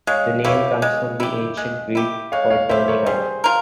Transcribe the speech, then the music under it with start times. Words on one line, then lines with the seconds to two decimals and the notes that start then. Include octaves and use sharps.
The name comes from the ancient Greek for "turning around".
0.07 G#3 C#5 F5
0.44 E4 G4 C#5 F5
0.82 G#3
1.20 E4 G4
1.57 G#3
1.95 E4 G4
2.32 G#3 C#5 F5
2.50 C#5 F5
2.69 E4 G4 C5 E5
2.88 A#4 C#5
3.06 G3 G#4 C5
3.44 F4 A#4